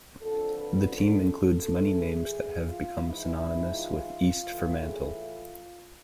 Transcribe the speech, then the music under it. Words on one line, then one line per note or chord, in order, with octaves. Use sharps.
The team includes many names that have become synonymous with East Fremantle.
F2 D3 F3 A4
B4
A4
A2 E3 A4
G#4
F4
G#2 E3 E4
F4
A2 E3
G#4
F4